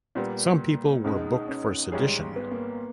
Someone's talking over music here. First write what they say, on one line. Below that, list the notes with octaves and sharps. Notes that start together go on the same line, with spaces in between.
Some people were booked for sedition.
A#2 G3 A#3 B3
C#2 B2 G#3 C#4
D#4
D#4
C#4
G#1 G#2 G3 C#4 G#4
B3
A#3